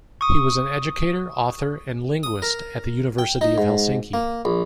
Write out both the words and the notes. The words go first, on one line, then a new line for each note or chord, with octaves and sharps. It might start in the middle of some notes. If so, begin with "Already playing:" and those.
He was an educator, author and linguist at the University of Helsinki.
C#6 D#6
D#6
A#4
G5
D#4
G#2
A#3
A#1